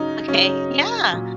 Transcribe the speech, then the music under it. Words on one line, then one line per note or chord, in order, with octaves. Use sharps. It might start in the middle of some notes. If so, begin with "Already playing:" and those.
Okay, yeah.
Already playing: C#3 F#3 C#4 D#4
C#3 F#3 C#4
A#2 F#3